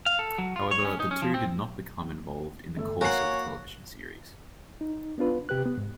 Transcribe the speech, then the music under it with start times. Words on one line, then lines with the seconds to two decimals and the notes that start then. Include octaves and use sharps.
However, the two did not become involved in the course of the television series.
0.06 F5
0.19 A4
0.38 F#3
0.56 F4
0.71 C#5
0.85 C#4
1.00 D#4
1.11 C#4
1.22 F3
1.34 C4
2.76 G1 A3
3.01 A#3 F#4 C#5 F#5 G#5 C7
4.81 D#4
5.18 B3 D4 F4 B4
5.49 C3 G4 B4 F#6
5.66 B3
5.78 G#2